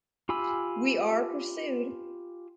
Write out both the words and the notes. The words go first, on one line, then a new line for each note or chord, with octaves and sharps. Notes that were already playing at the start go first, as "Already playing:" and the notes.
We are pursued.
F4 G4 G#5 B5 E6